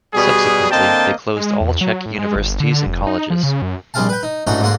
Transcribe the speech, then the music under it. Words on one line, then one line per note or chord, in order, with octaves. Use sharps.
Subsequently, they closed all Czech universities and colleges.
B2 G3 G#4
D3 A#3 C4 D#5 G5 A5
G#3
E2
F#3
A2
G#3
G1
D3
F1
D#4
F3
C#3
F#2
A#1 G3 C4 G#4 F5 A5
B4 G5
D#4
A1 G#2 D4 D#4 F#4 A#5
G#2 D3 A#3 F#4 C6